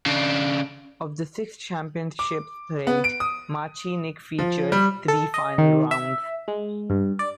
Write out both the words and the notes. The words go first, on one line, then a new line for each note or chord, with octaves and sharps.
Of the six championships played, Martinique featured three final rounds.
C#3 D4
D6
B3
D7
D#6
F3
G3
A4
D#5
D#3
E5
G#3
G2
D5